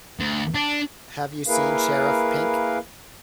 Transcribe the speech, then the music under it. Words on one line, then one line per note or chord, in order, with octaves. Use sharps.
Have you seen Sheriff Pink?
D2
D4
A#3 E4 G#4 A#4 B4 F5